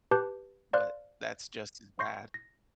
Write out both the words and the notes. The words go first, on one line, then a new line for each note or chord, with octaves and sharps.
but that's just as bad.
G4 B4 A5 D6 F#6 G6
C5 D5 F5 C6 F6 F#6
C6 C#6 G6 A#6 C7
A#6